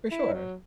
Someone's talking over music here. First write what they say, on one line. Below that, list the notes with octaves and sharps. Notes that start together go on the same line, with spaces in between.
For sure.
E4
F#3